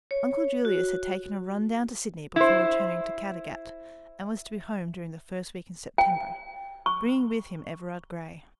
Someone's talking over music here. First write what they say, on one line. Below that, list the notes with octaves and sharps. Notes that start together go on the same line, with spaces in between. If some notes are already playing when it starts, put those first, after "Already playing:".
Uncle Julius had taken a run down to Sydney before returning to Caddagat, and was to be home during the first week in September, bringing with him Everard Grey.
C#5
F#4
E4 C5
G5
C#6